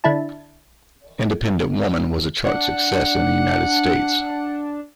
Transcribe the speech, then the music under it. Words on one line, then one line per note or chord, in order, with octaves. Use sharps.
"Independent Women" was a chart success in the United States.
D3 D4 E4 A5
D4 F#5